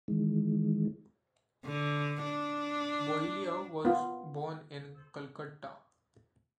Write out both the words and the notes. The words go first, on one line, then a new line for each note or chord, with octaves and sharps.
Boileau was born in Calcutta.
D#3 E3 G#3
D3
D4
B3 F4